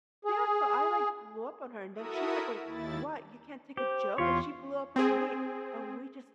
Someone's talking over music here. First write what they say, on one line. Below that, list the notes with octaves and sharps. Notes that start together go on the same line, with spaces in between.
Yeah, so I, like, blew up on her, and then she's like, going, "What? You can't take a joke?" And she blew up on me, and we just
G#4
E4 F#4 A4 A#4 E5 D#6
D#2 E4 A6
G4 C5
E2 F4 G4 C#5 C6
C4 G#4